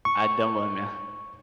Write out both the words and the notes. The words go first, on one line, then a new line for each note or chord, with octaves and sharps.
I don't wanna.
C#6